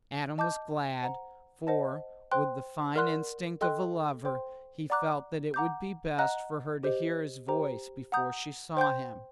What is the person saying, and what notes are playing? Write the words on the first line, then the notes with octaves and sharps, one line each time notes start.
Adam was glad, for, with the fine instinct of a lover, he felt that it would be best for her to hear his voice before she saw him.
D#5 A5 D6 G6
C5 F#5 A#5
C5 D#5 F#5 A5
C5 G5 C6 F#6
A#4 D5 F#5 C6 F#6
A4 D#5 G5 C6 F#6
C5 G5 C6
D5 F#5 A#5 D6 F#6
F#5 A#5 D6 G6
D#5 F#5 A#5 F#6
G4 C5 D#5
G4 C5 G5 A#5
F#5 A#5 D#6 G6
C5 G5 C6 G6